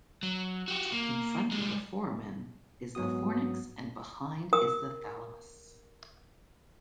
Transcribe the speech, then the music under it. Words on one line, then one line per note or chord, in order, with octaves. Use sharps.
In front of the foramen is the fornix and behind is the thalamus.
F#3
F#4 G4
A#3
G3 G#3
G#2 F#3 B3 F#4 D#6
A#4 D#6